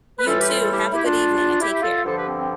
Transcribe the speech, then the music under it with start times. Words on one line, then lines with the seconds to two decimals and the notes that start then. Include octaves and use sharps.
You too. Have a good evening and take care.
0.19 B4
0.26 A2 E3 G3 F4 A4
0.38 G4 B4
0.48 F4 A4
0.60 F4 A4
0.71 E4 G4
0.93 E4 G4
1.04 D4 F4
1.60 E4 G4
1.82 F4 A4
2.04 G2 D3 F3 A4 C5
2.16 G4 B4
2.26 C4
2.38 C4